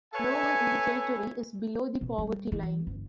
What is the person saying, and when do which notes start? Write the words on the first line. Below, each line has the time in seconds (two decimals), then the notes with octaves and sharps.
No one in the territory is below the poverty line.
0.14 A4 B4 C#5 E5 G#5
2.01 B2
2.18 G3
2.52 E3
2.87 G1